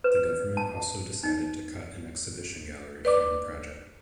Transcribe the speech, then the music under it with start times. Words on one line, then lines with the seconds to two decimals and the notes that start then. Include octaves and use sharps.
The government also decided to cut an exhibition gallery from the project.
0.04 B4
0.57 A5
1.23 D#4
3.05 B4 D5 D6